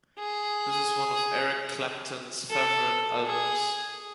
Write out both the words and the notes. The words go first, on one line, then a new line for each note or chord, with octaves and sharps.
This is one of Eric Clapton's favourite albums.
G#4
A4
G#4